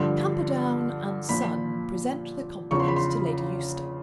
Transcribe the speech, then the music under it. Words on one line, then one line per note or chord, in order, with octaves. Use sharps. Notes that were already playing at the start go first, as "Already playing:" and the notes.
Camperdown and Son present their compliments to Lady Eustace.
Already playing: G2 D3 F3 C6
A#2 F3 B5
E2 C#3 F3 C#6
C6
B5
C6